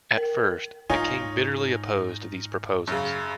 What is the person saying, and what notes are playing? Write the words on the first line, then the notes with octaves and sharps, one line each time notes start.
At first, the King bitterly opposed these proposals.
A#4
G#2 D#4 F4 C#5 G#5
F#2 C#3